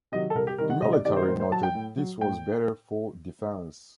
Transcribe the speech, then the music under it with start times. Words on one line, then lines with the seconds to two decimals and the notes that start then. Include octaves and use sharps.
The military noted this was better for defense.
0.12 C3 D#3 F#3 D#5
0.30 A4
0.35 C2 A#4
0.47 G4
0.58 C3 D#3 G3 A#4
0.70 F#5
0.82 C2 D#5
0.93 D5
1.05 C3 D#3 G3 D5
1.16 C5
1.23 A#4
1.28 A2 C5
1.40 C5
1.51 F#3 A5
1.63 G5
1.75 A2
1.97 F#3
2.21 A2 G5